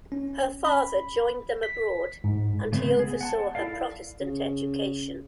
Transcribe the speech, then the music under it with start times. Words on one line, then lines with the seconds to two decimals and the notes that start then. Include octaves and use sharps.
Her father joined them abroad and he oversaw her Protestant education.
0.12 C#4
0.65 B5
1.63 B6
2.24 G#2
2.72 C#3 G#3 A3 B3 C4
2.99 B3 G#4
3.21 F#5 G#5 A5
3.55 E4 A4 A#4 D5 F5
4.21 C#3